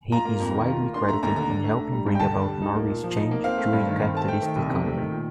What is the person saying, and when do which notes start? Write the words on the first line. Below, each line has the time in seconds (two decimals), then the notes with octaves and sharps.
He is widely credited in helping bring about Norway's change to a capitalist economy.
0.12 F4 A#5
0.25 A#3
0.40 F2
0.54 D#3
0.67 F4
0.81 A#3
0.94 D4 C6
1.09 A3 A#5
1.23 D#2 A#5
1.36 D3 A#5
1.50 D4
1.64 A3
1.78 D4
1.92 G3
2.06 G2
2.15 G5
2.20 D3 A5
2.34 D4
2.48 G3
2.62 D#4
2.75 A#3
2.89 A#2
3.03 F3
3.16 D#4
3.31 A#3
3.44 C4 F5
3.58 A3
3.73 G2
3.87 D#3
4.00 C4
4.14 A3 A5
4.28 A3 G5
4.42 D#3
4.56 C2
4.69 C3
4.83 A3
4.97 D#3
5.11 A#2